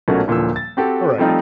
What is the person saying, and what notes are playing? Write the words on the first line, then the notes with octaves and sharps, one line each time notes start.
All right.
B1 A#2 A3 A#3 C#4 F#4
D#1 A#2 D3 E3 F3 E6
A6
C4 F#4 G4 A4
F3 G3 A3 C4 D#4 F4